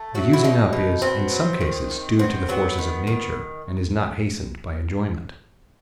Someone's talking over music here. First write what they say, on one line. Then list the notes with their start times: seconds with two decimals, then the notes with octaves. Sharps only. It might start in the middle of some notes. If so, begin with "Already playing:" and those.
The using up is, in some cases, due to the forces of nature, and is not hastened by enjoyment.
Already playing: A3
0.15 F#3 F#4
0.33 E4
0.44 B2 D#4
0.73 B2
1.02 B3 C4
1.32 F#3
1.61 D#3
1.91 D#3
2.19 B3 C4
2.49 F#3 B3
2.79 D#3
3.07 D#3